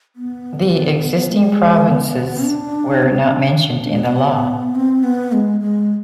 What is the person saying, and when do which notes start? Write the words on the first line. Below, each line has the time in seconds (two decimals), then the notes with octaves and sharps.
The existing provinces were not mentioned in the law.
0.16 B3
1.31 G#3
1.88 B3
2.45 D4
3.02 B3
3.16 C4
3.31 D4
3.88 G#3
4.03 B3
4.75 C4
5.04 B3
5.32 G#3
5.60 G#3